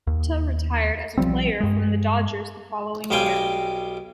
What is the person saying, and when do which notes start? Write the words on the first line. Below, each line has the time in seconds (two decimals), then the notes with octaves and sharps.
Mota retired as a player from the Dodgers the following year.
0.07 D#2
1.18 B1 F3 G3 C4
1.60 G2 G#3
3.10 B1 G3 C5 F5 G5 G#5